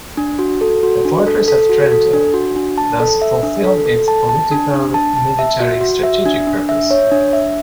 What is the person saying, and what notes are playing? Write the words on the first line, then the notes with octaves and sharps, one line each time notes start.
The fortress of Trento thus fulfilled its political-military strategic purpose.
D4
F#4
A4
F#4
D4
A4
A4
F#4
A4
D4
F#4
D4
A5
A4
E5
D4
A4
A4
A5
A5
D4
D4
A5
A5
E5
F#4
F#4
E5
D4
D4
E5
C#5
D4
E5